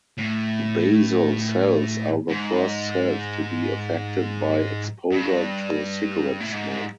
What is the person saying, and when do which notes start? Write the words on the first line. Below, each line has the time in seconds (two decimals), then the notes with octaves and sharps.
Basal cells are the first cells to be affected by exposure to cigarette smoke.
0.18 A2
2.30 G#2
5.12 G2
6.40 A2
6.52 G#2